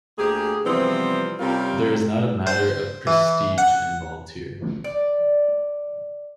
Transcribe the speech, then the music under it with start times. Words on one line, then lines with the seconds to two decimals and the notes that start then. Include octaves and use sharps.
There is not a matter of prestige involved here.
0.18 D2 A#3 G4 G#4
0.65 C3 E3 F3 G3 B3 C4
1.40 C3 G3 C4 C#4 F4 A#4
2.47 C5
3.07 E3
3.58 F#5
4.84 D5